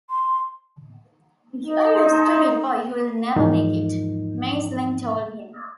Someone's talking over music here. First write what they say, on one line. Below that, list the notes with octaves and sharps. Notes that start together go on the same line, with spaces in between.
"You're a stupid boy who will never make it," Meisling told him.
C6
D#4
E2 G#2 F3 A#3 D#4